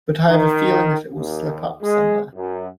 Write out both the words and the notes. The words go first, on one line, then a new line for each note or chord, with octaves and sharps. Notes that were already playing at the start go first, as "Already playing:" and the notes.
But I have a feeling that it will slip up somewhere.
D#3
D#2
G#3
F#2